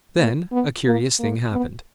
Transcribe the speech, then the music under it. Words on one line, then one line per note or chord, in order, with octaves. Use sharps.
Then a curious thing happened.
A#3
B3
A#3
A#3
B3